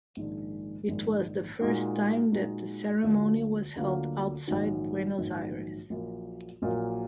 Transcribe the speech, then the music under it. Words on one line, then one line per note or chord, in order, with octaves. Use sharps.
It was the first time that the ceremony was held outside Buenos Aires.
A#1 G#2 D#3 G#3 D4
A#1 G#2 D#3 G#3 D4
A#2 G#3 D#4 F#4
A#2 G#3 D#4 F#4
D2 D3 F#3 A#3 F4
D2 D3 F#3 A#3 F4
A#1 G#2 D#3 F#3
A#1 G#2 D#3 F#3
A#1 A#2 F#3 A#3
A#1 A#2 F#3 A#3